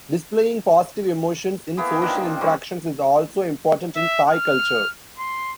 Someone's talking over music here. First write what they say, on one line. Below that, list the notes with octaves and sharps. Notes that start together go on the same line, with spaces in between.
Displaying positive emotions in social interactions is also important in Thai culture.
A#3 B3 E4 G#4
D#3 F3 A#3 D4
C4
D3 G3 C4 C#4
E5
F6
C6